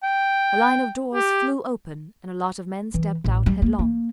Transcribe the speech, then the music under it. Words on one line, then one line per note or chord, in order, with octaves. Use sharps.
A line of doors flew open and a lot of men stepped out headlong.
G5
G4
E3
A1
G3
A#3
A#3